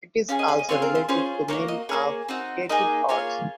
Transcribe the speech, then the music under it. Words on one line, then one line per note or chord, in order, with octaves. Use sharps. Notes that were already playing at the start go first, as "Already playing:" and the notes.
It is also related to many of the creative arts.
C#4 F4 G#4 F5
D#5
F5
D#5
C4 F4 G#4 C#5
A#4
C5
C#4 F4 G#4 C5
A#3 D#4 F#4 C#5
D#5
A#3 C#4 G#4 C#5
C4 D#4 F#4
A#3 D#4 G#4 D#5
A#3 F4 G#4 C#5